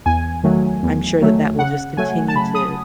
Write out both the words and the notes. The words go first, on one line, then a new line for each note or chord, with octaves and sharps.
um, I'm sure that that will just continue to
E2 G#5
D#3 F#3 A3
E2
D#3 F#3 A3
C#3 F#5
F#3 A3 G#5
A5
C#3 B5
D#6